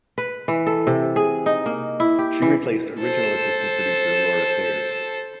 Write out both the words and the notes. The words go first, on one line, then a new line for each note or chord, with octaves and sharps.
She replaced original assistant producer Laura Sayers.
B4
E3
A4
C3
G#4
D#4
A#3
E4
G4
E3
A4 C5